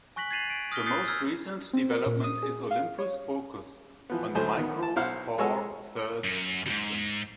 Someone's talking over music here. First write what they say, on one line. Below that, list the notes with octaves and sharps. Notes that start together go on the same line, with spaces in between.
The most recent development is Olympus' focus on the Micro Four Thirds system.
G#5 C#6 F#6 A#6 B6 F#7
G#6 A6 C7 D#7 F7 F#7
D7
D#6 F6 A#6 B6 G7
D#6 F#6 G6 A6 C7
E6 F6 G6 G#6
C4
A#4
A#2
D#6
G#4
F5
C#5
E3 F3 B3
D2 A2 F#3 A3 C5 G#5
D#3 B3
A5
B1 E4 C5 F5 F#5
G#3 A4 C#5 G#5 E6
F#2
D#2 G#2